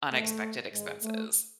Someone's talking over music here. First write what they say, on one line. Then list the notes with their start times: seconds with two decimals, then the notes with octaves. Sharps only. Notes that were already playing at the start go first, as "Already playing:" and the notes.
unexpected expenses.
0.12 G#2 D#3 A3
0.72 G#2 D#3 G#3
1.03 A3